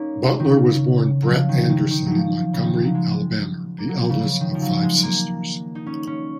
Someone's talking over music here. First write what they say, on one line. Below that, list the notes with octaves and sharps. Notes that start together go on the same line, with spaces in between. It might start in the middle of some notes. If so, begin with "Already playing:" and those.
Butler was born Brett Anderson in Montgomery, Alabama, the eldest of five sisters.
Already playing: A#3 C#4 D#4
D#3
C#3
F#3
F3
D#3
D#3
D#3
F#3
F3
C#3
D#3
F3
F#3
G#3
A#3
F#3
F3
C#3
C#3
D#3
F3
F#3
G#3
G#3
A#3
D#4
C#4
C#4